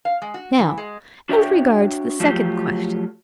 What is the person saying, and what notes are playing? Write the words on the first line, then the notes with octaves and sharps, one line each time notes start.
"Now as regards the second question."
F5
G#3
F#4
E3
G#3
D4 F#4 C#5 E5 F#5 G5
F3 F#3 A3 F4 G4